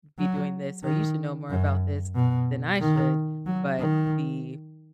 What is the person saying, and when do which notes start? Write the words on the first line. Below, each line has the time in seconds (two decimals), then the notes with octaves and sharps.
be doing this or you should know more about this than I should," but the
0.18 F#3
0.83 D#3
1.50 F#2
2.15 B2
2.81 D#3
3.46 F#3
3.79 D#3